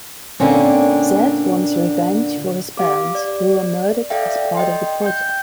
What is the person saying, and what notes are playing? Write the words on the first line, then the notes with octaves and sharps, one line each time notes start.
Zed wants revenge for his parents, who were murdered as part of the project.
A#2 D3 A#3 C4 C#4
G4 F5 D6
D5
A4 D5 E5 F5 G5
D#5 G5 C6
G5 G6